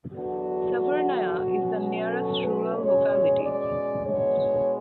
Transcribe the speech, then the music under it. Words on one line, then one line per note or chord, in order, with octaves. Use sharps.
Severnaya is the nearest rural locality.
E2 D3 F#3 B3 D4 F#4
B2 F#3 C#4
A4
B4
B2 G#3 C#4 C#5
D5
B2 G#3 B3 D4 C#5